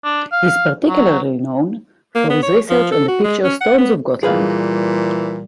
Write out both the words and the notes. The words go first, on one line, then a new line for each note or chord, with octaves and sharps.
He is particularly known for his research on the picture stones of Gotland.
D4
F5
F#3
A#3
B3
C#5
F3
A4
F#4
G#3
C#4
F#5
B3
A#2 E3 G3 G#4 B4 F5